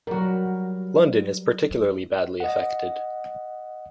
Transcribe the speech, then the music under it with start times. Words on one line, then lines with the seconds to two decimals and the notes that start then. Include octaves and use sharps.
London is particularly badly affected.
0.07 F#3 G3 F#4 A#4
2.40 D#5 F#5